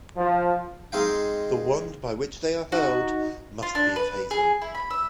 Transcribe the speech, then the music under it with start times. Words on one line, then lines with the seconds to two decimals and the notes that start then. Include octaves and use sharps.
The wand by which they are hurled must be of hazel.
0.17 F3
0.92 G#3 C4 D#4 F5 G5
2.72 D#4 F#4
3.63 F4
3.75 D4
3.96 B4
4.31 G#4
4.62 E4
4.75 B5
4.90 E5